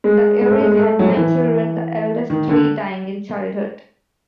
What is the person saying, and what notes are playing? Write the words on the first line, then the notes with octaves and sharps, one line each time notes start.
The Airys had nine children, the eldest three dying in childhood.
G#3
G#3
A3
G#3
G#3
A3
F#3
F3
E3
D#3
D3